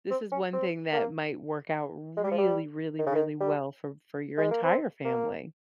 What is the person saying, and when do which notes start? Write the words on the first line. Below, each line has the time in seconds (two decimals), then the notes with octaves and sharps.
this is one thing that might work out really really really well for for your entire family.
0.11 C4
0.32 C#4
0.53 C4
0.93 A#3
2.17 G#3
2.24 G3
2.31 F3
2.38 G3
2.99 D#3
3.06 C#3
3.15 D#3
3.41 G3
4.38 G#3
4.51 A#3
4.64 C4
5.05 A#3